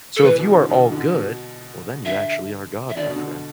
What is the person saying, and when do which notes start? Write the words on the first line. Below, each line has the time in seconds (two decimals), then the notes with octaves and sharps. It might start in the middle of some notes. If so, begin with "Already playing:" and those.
So, if you are all good, well then you actually are God, my friend.
0.16 A4
0.24 E3 B4
0.39 B2
0.55 D3
0.70 B2
0.92 D3
1.14 B2
2.05 D3 E5
2.89 E5
2.96 D3 D5
3.06 B2
3.16 D3